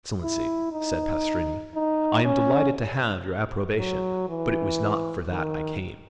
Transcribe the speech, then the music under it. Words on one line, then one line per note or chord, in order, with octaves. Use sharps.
"Excellency," said Pastrini, "I am delighted to have your approbation, but it was not for that I came."
E4
D#4
D#4
C#4
F#3
E3
D#3